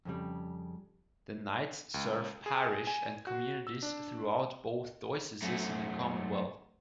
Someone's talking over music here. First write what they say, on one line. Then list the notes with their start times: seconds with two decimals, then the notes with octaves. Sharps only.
The Knights serve parish and communities throughout both dioceses in the Commonwealth.
0.05 F2 C#3 G3
1.94 C#2
2.46 G#4
2.87 G#5
3.27 F#4
3.67 E6
3.83 D4
5.42 F#2 A3